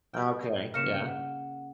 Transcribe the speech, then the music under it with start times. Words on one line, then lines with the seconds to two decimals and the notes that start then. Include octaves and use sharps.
Okay. Yeah.
0.14 G3 G5
0.74 C#3 A#3 A#4 F6 C#7 E7
1.07 F#5